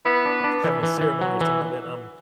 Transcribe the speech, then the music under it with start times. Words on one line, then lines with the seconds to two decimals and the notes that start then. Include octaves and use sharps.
t having a ceremony or something like that, I'm
0.05 B3 E4
0.25 D4
0.44 D4
0.64 E3
0.83 E3
1.01 E3
1.21 F#3
1.41 E3